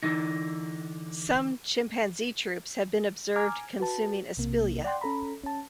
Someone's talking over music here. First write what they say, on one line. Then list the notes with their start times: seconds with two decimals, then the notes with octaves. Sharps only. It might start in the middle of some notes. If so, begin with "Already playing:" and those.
Some chimpanzee troupes have been observed consuming aspilia.
0.03 D3 E3 D#4
3.36 G#5 A#5 D6 F6 G#6
3.80 F#4 B4 A5
4.37 B1 C3 A#3
4.84 D5 F#5 G5 C6
5.01 C#4 A4 A#5 B5
5.44 C#4 A5